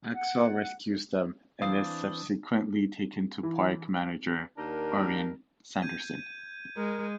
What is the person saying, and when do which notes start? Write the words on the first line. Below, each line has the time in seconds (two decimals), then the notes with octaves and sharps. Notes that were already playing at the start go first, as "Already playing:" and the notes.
Axel rescues them and is subsequently taken to park manager Orrin Sanderson.
0.12 F#5
1.62 E3 C4 D4 F5 D#6
3.43 E3
4.58 D#2 D4 A#4
5.82 G6 G#6 D#7
6.76 G#3 A#4